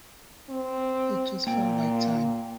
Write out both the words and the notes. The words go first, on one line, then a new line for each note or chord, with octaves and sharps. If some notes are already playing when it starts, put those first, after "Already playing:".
It just felt like time.
C4
A#2 A#3 G5